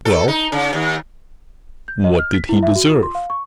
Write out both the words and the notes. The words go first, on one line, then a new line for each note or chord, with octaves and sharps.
Well--what did he deserve?
A4
D#4
C#3
D#2
G6
D#5
F6
B6
E4
E5
F#4
F4
C6
F5
C#6